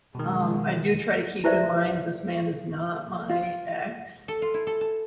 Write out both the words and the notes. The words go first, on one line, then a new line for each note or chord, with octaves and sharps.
um, I do try to keep in mind, this man is not my ex
B2 D#3 G#3
E4 G4 B4 C5 D5 E5
F4
A4
F4
E4
A4
A5